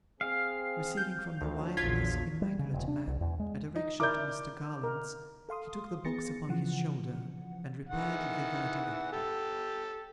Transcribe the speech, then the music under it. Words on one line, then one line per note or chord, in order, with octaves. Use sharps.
Receiving from the wife of this immaculate man, a direction to Mr Garland's, he took the box upon his shoulder and repaired thither directly.
C4 G#4 F5
G6
D2 D3 F3 F#3
A#1 E2 F4 G#6 B6
G3
C#3
E1
D4
C2
E2
G#3
D#4
E4 A#4 D5 D6 G6
A#4
A4 F5 C6 D#6
B3 G#4 A6 A#6 C#7
C#3 E3 F3 F#5
D#3 E3 F#5
G4 A4